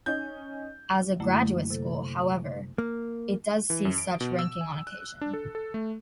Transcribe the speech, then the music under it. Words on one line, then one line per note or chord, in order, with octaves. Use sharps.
As a graduate school, however, it does see such ranking on occasion.
C#4 D#4 G6
F#2 D3 F#3 A3 A#3 E4
C3 A4
A#3
E3
F#2
D7
B2
E6
G#5
F#6
D4
A4
A4
A3